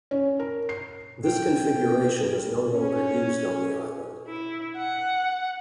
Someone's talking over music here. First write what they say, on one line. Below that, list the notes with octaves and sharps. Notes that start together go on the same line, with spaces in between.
This configuration is no longer used on the island.
C#4
A#4
C7
G5
C#4
E4
F#5